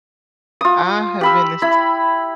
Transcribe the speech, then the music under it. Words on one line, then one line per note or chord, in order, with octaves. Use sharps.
I have been this
F4 D#6
G4 B5 E6
E4 B5